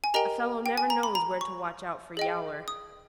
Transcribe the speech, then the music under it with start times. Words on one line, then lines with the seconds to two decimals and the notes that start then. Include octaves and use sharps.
A fellow never knows where to watch out for Yowler.
0.04 G#5
0.14 G4 A#4 D#5 G5 A#5
0.66 G5
0.77 G#5
0.90 A#5
1.03 B5
1.15 A#5
1.41 C#6
2.17 G#4 D#5 G5
2.68 D#6